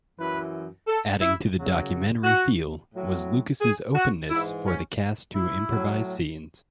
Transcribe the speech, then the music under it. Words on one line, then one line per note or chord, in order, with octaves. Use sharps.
Adding to the documentary feel was Lucas's openness for the cast to improvise scenes.
F#2 E3 B4
A4
E4
F#2 C#3 F#3
F#4
A2 F#3
G#4
F#4
G#2 E3 E4
C#4
E4
A2 F#3